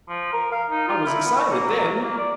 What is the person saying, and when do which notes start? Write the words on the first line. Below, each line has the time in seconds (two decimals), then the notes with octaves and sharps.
"I was excited then."
0.09 F3
0.33 A#4
0.52 F5
0.70 D#4
0.88 F4
1.06 E4
1.25 B3
1.38 C#5
1.52 A#3
1.67 F#3
2.02 A#3
2.18 D5